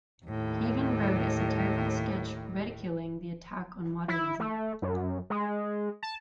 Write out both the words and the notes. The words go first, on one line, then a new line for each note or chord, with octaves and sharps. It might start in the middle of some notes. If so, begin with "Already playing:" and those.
He even wrote a satirical sketch ridiculing the attack on modernism.
D#2 A2
E4
A3
F#2
G#3
A5